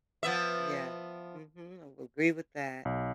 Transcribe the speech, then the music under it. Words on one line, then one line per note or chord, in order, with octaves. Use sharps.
Yeah. Mhm, I would agree with that.
F3 B3 E5
B1